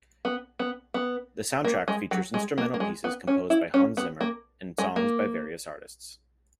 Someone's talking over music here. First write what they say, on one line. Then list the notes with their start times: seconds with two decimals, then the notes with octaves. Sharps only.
The soundtrack features instrumental pieces composed by Hans Zimmer and songs by various artists.
0.25 B3
0.59 B3
0.94 B3
1.64 A#3
1.88 G#3
2.11 F#3
2.34 G#3
2.58 A#3
2.74 A#3
2.80 G#3
3.04 B3
3.27 C#4
3.50 E4
3.74 C#4
3.97 B3
4.21 A#3
4.78 G#3
4.96 A#3